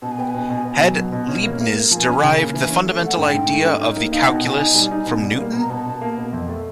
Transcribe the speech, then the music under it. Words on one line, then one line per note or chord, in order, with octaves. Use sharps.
Had Leibniz derived the fundamental idea of the calculus from Newton?
B2 A5
G#5
B3 G5
G#5
B2
B2
B2
F#3
B2
B2
C#4
A#3
A#3
A#3
F3 G#5 A5
C#4
C#3
A#3
E3
C#4
A3
A3 F#5
G#2 G5
G#2
A3
C#4
D#4
A#3
D#4 F5
F#5
B2
G5
B2 G#5 A5
D#4
G3
D#4
B2
G3
A#3
B2
A#5
B2 A5
B2
A#3
B2
F2
A3